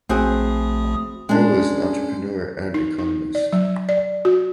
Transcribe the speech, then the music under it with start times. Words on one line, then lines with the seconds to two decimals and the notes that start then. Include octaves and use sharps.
Brolo is an entrepreneur and economist.
0.09 A#1 A3 C4 F#4 G#4 D#6
1.29 G#3 C#4 D4
2.74 D#4
2.99 D#4
3.35 D5
3.53 F#3
3.89 D5
4.25 F#4